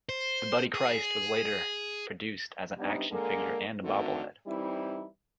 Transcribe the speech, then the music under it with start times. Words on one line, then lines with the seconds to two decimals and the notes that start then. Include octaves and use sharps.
The Buddy Christ was later produced as an action figure and a bobblehead.
0.09 C5
0.74 G#4
2.78 C3 G3 B3 D4 D#4 B4
3.10 D3 G#3 A#3 A4 A#4
3.82 D3 D#3 A3 C4 F#4
4.47 E3 G3 C4 D#4 E4